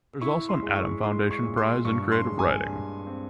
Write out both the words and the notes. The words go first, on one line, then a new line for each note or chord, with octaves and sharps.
There is also an Adam Foundation Prize in Creative Writing.
E4 C#6
C6
G#3
C#6
G#3 C6
C#6
A#2
C6
G2 C#6
C6
G#3
G#5
G2
C4